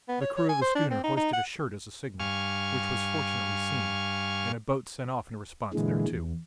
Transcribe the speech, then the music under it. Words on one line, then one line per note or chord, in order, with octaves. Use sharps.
The crew of the schooner hoisted a shirt as a signal, which was fortunately seen, and a boat sent off in response thereto.
B3
C#5
C#5
G#5
C5
D4
C4
D#4
D#4
F#5
G2 F5 G#5 C#6 F6
A#2 D3 E3 G#3
E2